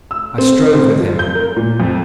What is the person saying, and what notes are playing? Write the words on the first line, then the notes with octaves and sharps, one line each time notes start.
I strove with him.
E6
C4
C4
F3
G6
A#4
A#2
F2